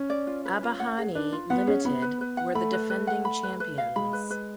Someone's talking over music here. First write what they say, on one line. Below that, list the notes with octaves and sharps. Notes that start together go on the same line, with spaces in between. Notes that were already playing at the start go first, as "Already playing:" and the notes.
Abahani Limited were the defending champions.
Already playing: C#4
D5
F4
B4
F4
F#5
G#4
D4 B4
F4
B3 F#5
C#4 G#4
B3 B5
B4
B4
F#5
A3 B5
B4
B4
F#5
B5
B4
B4
F5
G#3 B5
B4
B4